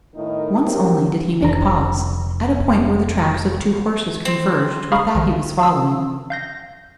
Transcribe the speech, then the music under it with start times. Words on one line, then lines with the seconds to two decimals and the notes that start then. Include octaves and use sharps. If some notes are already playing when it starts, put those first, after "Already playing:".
Once only did he make pause; at a point where the tracks of two horses converged with that he was following.
0.15 A2 D#3 B3 D#4 E4 A#4
0.62 F#3 C4 G4 A#4
1.42 F1 D4 A#5
4.25 C4
4.92 F5 A#5 B5 C#6 D#6 F6
5.15 B1 D#3 F3
5.59 F5 E6
6.30 F5 G6 A#6